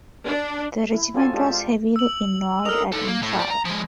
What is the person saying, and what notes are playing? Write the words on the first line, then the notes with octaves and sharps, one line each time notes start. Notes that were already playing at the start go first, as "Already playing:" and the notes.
The regiment was heavily involved at Imphal.
D4
E4
C4 F4 F#4 A4 D5 G#5
G#3 D4 F4 G4 A4
F4
E6 F#7
A#4 D#5 F6 F7
D#4 A4
A#3
A2
G3 D5
A#5
F3 G#3